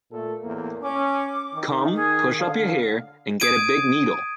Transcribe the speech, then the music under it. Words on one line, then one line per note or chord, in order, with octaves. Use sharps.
Come, push up your hair and get a big needle.
A#2 A3 A4
E2 A2 A#3
C#4 D6
D#3
G#4
D3 F5
D#6 G#6 D7 D#7